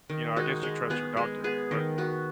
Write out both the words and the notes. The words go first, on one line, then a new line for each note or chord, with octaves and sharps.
you know, I guess you trust your doctor, but
D#3
G#3 D#4 F#4
G#3
B3 G#4
G#3
B3 G#4
D#3
B3 F#4